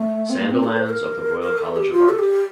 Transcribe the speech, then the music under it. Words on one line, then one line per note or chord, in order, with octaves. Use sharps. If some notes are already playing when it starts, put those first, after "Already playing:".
Sandilands of the Royal College of Art.
Already playing: A3
C4
A#3
C4
A4
C5
A4
A#4
A#4
A4
G4
F4
A4
G4